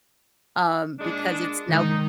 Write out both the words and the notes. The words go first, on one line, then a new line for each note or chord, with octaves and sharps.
um, because it's now
A#2 G#3 D4
D#3 G#3 D#4